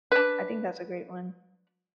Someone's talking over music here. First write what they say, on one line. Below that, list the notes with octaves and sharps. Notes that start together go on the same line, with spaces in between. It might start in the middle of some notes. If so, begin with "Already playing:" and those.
I think that's a great one.
D4 B4